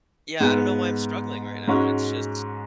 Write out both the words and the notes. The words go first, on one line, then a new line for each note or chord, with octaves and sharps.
yeah, I don't know why I'm struggling right now. It's just
G#2 G#3 B3
G#2 G#3 C#4 F#4